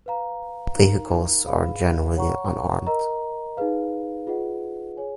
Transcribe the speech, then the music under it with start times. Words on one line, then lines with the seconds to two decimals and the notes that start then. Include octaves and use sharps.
Vehicles are generally unarmed.
0.06 B4 F5 A#5
0.76 D#4 A#4 F5 A#5
1.46 G#4 B4 F5 B5
2.17 C#5 F#5 A#5 C#6
2.87 A#4 D#5 A#5
3.57 D#4 G#4 B4 F5
4.27 F4 G#4 B4 D#5 F#5
4.97 G#4 C#5 G#5